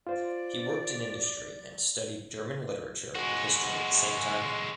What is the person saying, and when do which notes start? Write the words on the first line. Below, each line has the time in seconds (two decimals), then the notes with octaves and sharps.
He worked in industry and studied German literature and history at the same time.
0.07 F4 C5 D5
3.16 G#3 F#4